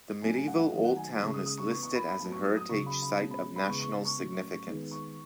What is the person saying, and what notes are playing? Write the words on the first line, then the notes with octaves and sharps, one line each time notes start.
The medieval old town is listed as a heritage site of national significance.
A2 F#3 A3 C#4 G#5
G#5
F#5
F#5
D#3 F#3 A3 D#5
F#5
G#5
A5
C#3 G#3 C#4 C#6
D#6
D#6
C#6
E3 B3 C#6
C#6
B5
B5
A2 F#3 B3 A5
C#6
D#6
D#6
C#3 F#3 C#4 C#6
B5
B5
B2 G#3 C#4 A5
B5
B5
C#3 E3 G#3 B3 C#6
C#6
A5
C#6
A2 F#3 C#4
D#3 G#3 B3
C#6